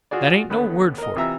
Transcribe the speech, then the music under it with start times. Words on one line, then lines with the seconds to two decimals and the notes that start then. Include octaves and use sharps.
'That ain't no word for it.
0.11 F4 F#4 G#4 D5
0.50 D#2 D3 B3 B5
0.98 A#4 D#5
1.16 C3 E3 F4 E5 A#5 E6